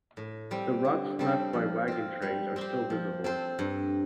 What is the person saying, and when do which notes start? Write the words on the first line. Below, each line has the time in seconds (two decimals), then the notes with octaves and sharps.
The ruts left by wagon trains are still visible.
0.17 A2
0.51 G3 C4
0.85 D3
1.19 G3 C4 A4 C5
1.53 F3
1.88 C4 F4
2.22 G3
2.56 C4 G4 C5
2.90 F3
3.24 C4 A4 C5
3.59 G2